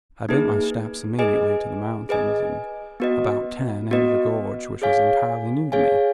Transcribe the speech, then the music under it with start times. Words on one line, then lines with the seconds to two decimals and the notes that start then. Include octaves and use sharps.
I bent my steps immediately to the mountains, and, about ten, entered a gorge which was entirely new to me.
0.29 A#3 D#4 G#4 B4
1.19 G#4 B4 D#5 G#5
2.09 G#4 B4 D#5 G#5
3.00 B3 F#4 B4 D#5
3.91 B3 F#4 B4 D#5
4.82 G#4 C#5 F5 G#5
5.72 G#4 C#5 F5 G#5